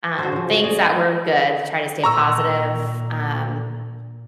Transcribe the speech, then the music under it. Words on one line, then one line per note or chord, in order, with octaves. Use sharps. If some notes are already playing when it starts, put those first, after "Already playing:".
um, things that were good, try to stay positive, um
F#4 C5
C#3 F3
F#4
G#4 D5 D#5
A#2 A#5 C#6 E6